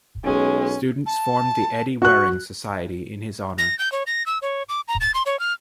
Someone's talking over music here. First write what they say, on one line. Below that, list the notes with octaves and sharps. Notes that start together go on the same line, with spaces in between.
Students formed the Eddie Waring Society in his honour.
B1 G#3 C#4 G#4
A5
F#4 C#6 F#6
A#6
G6
C#5
A#6
E6
C#5
D6
A#5
A6
C6
C#5
F6